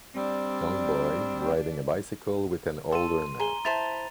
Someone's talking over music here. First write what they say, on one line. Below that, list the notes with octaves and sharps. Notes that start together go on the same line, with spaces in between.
Young boy riding a bicycle with an older man.
G3 C4 D4
A4 C6 D#7
G#4 A#5 D#7 G7
E4 C5 A5 A6 F7